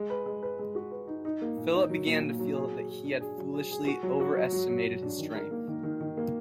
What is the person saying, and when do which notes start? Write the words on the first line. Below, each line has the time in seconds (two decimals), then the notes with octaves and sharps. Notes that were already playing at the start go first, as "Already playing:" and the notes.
Philip began to feel that he had foolishly overestimated his strength.
Already playing: G#3
0.10 B4
0.26 G#3
0.43 B4
0.59 G#3
0.75 F#4
0.91 B4
1.08 D#4
1.25 D#4
1.42 A#3
1.57 A#2
1.74 D#4
1.90 F#3
2.07 A#2
2.23 A#2
2.39 F#3
2.55 G#4
2.72 G#4
2.89 G#4
3.05 D4
3.21 G#4
3.37 F#3
3.54 G#4
3.71 G#4
3.87 F#4
4.03 F#3
4.20 F#4
4.37 F#3
4.52 F#3
4.70 F#3
4.86 F#3
5.02 D4
5.18 D#3
5.35 A#4
5.51 A#3
5.67 D#3
5.83 D#3
6.00 D#3
6.17 A#3